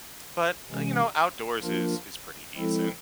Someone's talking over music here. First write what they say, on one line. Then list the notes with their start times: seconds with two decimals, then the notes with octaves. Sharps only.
but, uh, you know, outdoors is is pretty decent.
0.69 C3 E3 G#3 C#4
1.62 F3 A#3 D4 F4 A#4
2.56 F3 G#3 C4 E4 A4